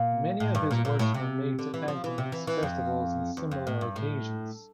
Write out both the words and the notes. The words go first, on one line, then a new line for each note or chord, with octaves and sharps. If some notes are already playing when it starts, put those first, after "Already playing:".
Many of his works were made to act in these festivals and similar occasions.
Already playing: A#2
A2
G2
A#2
A#2
A2
C3
D3
E3
F3
E3
C3
E3
E3
F2
E2
F2
A2
G2
A2